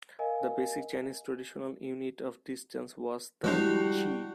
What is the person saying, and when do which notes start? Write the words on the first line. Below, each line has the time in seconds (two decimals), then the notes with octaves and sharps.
The basic Chinese traditional unit of distance was the "chi".
0.19 A#4 D#5 F5 G#5
3.44 F3 G3 G#3 D4 E4 F#4 F#6